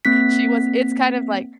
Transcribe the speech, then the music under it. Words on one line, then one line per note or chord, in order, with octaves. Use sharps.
She was it's kind of like
A#3 C4 B6